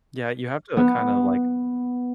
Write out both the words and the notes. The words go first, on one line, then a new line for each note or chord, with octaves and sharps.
Yeah, you have to kinda, like
B3